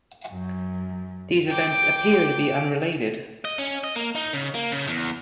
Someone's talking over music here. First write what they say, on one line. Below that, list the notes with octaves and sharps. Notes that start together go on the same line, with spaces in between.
The events appear to be unrelated.
F#2
G5 D6
D#5
C#4
D#5
A#3
D#4
C#3
A#3
C#3
E2